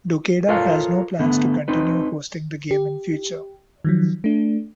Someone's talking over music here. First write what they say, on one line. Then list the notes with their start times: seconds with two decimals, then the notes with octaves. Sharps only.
Dokeda has no plans to continue hosting the game in future.
0.49 F4 A4 A#4 C5 C#5 F5
1.19 D3 A3 B3
1.68 C4 D#4 B4
2.71 G4
3.85 D#3 F3 F#3
4.24 A3 D4